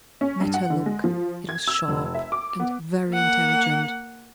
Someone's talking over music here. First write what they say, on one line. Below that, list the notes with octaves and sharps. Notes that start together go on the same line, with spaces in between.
I met her look; it was sharp and very intelligent.
C#4
G2
F#5
D3
G#3
F3
G#6
E6
F1
E5
D6
B3
A#3 F#5